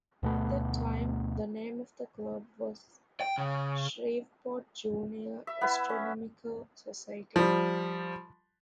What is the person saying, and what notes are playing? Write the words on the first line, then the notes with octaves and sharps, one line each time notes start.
At that time, the name of the club was the Shreveport Junior Astronomical Society.
D2 B2 A3 B3
G5
C#3
E5
B3 E4
C#4
F3 G3